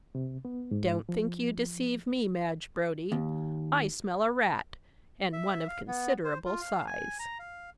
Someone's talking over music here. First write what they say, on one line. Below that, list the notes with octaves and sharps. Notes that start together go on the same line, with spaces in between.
"Don't think you deceive me, Madge Brodie--I smell a rat, and one of considerable size."
C3
B3
G#2
F3
D#2
E5
F5
B3
C5
F4
F5
G#5
A#5
F5